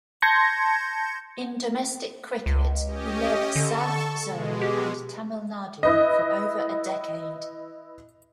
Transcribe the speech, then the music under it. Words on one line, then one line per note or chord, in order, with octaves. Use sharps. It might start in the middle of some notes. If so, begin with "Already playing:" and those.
In domestic cricket, he led South Zone and Tamil Nadu for over a decade.
A5 C6 G6 G#6 A#6 C#7
C#2
C#4 G4 D#5
D3 A4 A5 C#6
B2 G#3
G4
E4 B4 D#5